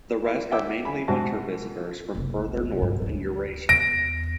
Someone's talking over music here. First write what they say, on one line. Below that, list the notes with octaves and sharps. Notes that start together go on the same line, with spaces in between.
The rest are mainly winter visitors from further north in Eurasia.
E4
E5 F#5 G5 D6 E6
G#5 B5
G#2 C3 D4 F#4 A5
F#1 C2
D#1 G2
D2 D4
E2 A#6 D7